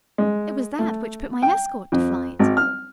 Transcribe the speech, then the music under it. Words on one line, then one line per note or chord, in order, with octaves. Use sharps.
"It was that which put my escort to flight."
G#3
A3
G5
F2
G#1
F6